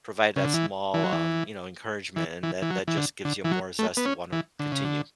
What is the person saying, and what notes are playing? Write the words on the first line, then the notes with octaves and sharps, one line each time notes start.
provide that small, um, you know, encouragement, and that that just gives you more zest to wanna continue.
C#3
D3
E3
E3
F#3
E3
E3
E3
E3
F#3
E3
D3
D3
E3
F#3
A3
B3
C#4
E3
D3
C#3
D3